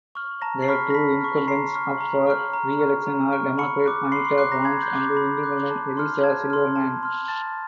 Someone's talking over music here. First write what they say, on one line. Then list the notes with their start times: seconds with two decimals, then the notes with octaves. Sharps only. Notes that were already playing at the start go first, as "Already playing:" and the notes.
The two incumbents up for reelection are Democrat Anita Bonds and independent Elissa Silverman.
0.15 C#6 F6
0.42 A5 A#5 A#6
0.62 C7
0.68 B5 C#6 F6 B6
0.90 A#6
0.94 A5 B5 B6
1.21 C#6 F6
1.47 A#5 C6 C7
1.73 C#6 F6
2.01 A#5
2.27 C#6 F6
2.53 A#5
2.79 C#6 F6
3.06 A#5
3.32 C#6 F6
3.58 B5 C#6 C#7
3.86 D6 F#6
4.12 B5 C6 C7
4.25 C6 C7
4.37 C6 D6 F#6 C7
4.52 A#5 A#6
4.64 B5 G#6
4.82 G6
4.90 F#6
4.95 D6 G6
5.17 B5
5.43 D6 F#6
5.70 A5
5.97 C6 F6
6.23 A5 G#6
6.50 C6 F6
6.76 A5
7.03 C6 F6
7.28 A5 A6